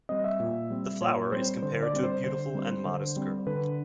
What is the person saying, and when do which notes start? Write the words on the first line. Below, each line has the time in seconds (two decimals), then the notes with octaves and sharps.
The flower is compared to a beautiful and modest girl.
0.09 G3 C4 D#5
0.24 E5
0.40 A#2
0.70 G3 C4
1.01 A#2 C#5
1.32 G3 C4 C5
1.62 D3 C5
1.83 D5
1.93 G3 C4
2.03 C5
2.24 D3 C5
2.55 G3 C4
2.85 D3
3.16 G3 C4
3.47 D3 B4